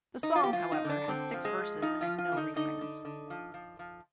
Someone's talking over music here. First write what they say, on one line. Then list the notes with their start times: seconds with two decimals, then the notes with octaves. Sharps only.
The song, however, has six verses and no refrains.
0.23 D#4
0.35 F3 F4
0.43 G4
0.53 F4
0.60 F3
0.72 D#4
0.84 D3 D4
1.08 D3 C4
1.34 F3
1.45 G#3
1.57 F3
1.82 F3 D#4
2.01 F4
2.07 F3
2.18 F4
2.32 D3 D#4
2.56 D3 D#4
2.81 D3
3.05 D3
3.30 F3
3.54 F3
3.79 F3